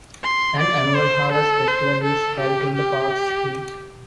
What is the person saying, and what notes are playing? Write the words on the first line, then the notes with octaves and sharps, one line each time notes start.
An annual Harvest Festival is held in the park's field.
C6
D5
C5
A4
C5
A4
G4
G4